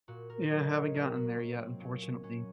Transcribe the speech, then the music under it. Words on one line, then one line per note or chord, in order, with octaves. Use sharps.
Yeah, haven't gotten there yet, unfortunately.
A#2 F#4
A#4
C5
F#3 A#4
D#5
C#5
A#2 A#4
F#4
F#3 C#4
C4
A#2 C#4
C#4
F#3 C#4